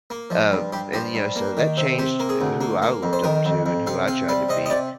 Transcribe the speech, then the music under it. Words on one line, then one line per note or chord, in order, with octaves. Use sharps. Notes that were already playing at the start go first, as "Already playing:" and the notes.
uh, and, you know so that changed who I looked up to and who I tried to be,
A#3
F3
G2
G2 G4
F3 G4
G2
A#3
D#3
C3
C3 G4
A#3
G#4
D2
A#3
A#3
F2
C5
D#3 A#4
F2
F2
C3 F5
C3 F5
G3 F5
C3 D#5
D#5
C3 D5